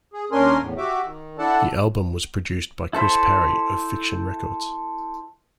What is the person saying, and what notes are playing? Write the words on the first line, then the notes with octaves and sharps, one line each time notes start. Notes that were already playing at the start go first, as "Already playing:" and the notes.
The album was produced by Chris Parry of Fiction Records.
G#4
D#2 C#4 D4 A#4 G#5 C6
E2 A2
F#4 G4 E5 D6
D#3
D4 E4 A4 D5 F#5 A5
E4 A4 C5 B5